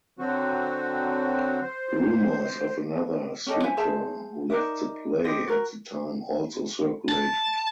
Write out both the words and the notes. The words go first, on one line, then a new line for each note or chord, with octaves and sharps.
Rumors of another suitor who left the play at the time also circulated.
D3 F#3 C4 F#4
C5
C#4 G4 A4 D#5
E4 C5 E5 G#5
G#4 C5 E5 A5
D#4 A#4 D5 E5
G4 C5 D#5
F#4 A#4
A5